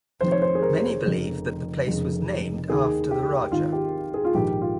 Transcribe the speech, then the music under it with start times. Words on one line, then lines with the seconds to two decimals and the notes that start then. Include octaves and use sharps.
Many believe that the place was named after the Raja.
0.21 F1 F2 C3 D#3 C5
0.32 C#5
0.42 C5
0.55 G#4
0.62 A#4
1.04 F1 F2 C#3
1.86 F1 F2 C#3
2.69 D#2 D#3 G#4
3.11 G4
3.52 G#1 G#2 D#3 F4
3.73 G4
4.14 G#4
4.25 F4
4.34 A#1 G#2 D#3 G4
4.62 F4